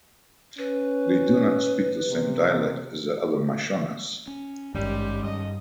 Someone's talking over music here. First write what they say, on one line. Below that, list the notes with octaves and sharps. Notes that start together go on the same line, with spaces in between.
"They do not speak the same dialect as the other Mashonas".
C#4 B4
C3
C#4
G#1 G2 D#3 G3 G#3 C#4 G4
G2 D#5